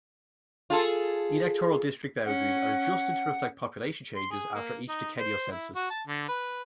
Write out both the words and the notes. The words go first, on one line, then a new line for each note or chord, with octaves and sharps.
Electoral district boundaries are adjusted to reflect population changes after each decennial census.
F4 G#4 A4
C#4 F#5
C6
G#4
A#3
D#4
C5
E4
F#4
A5
D3
B4